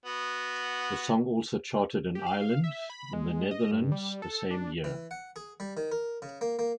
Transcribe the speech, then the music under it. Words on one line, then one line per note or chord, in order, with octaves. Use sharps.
The song also charted in Ireland in the Netherlands the same year.
B3 F#4
G4
F5
E5
B5
G#3
D#5
G2
G3
A4
D4
E3
F#5
G#4
G3
D#3
A#4
C#3
A#3
A#3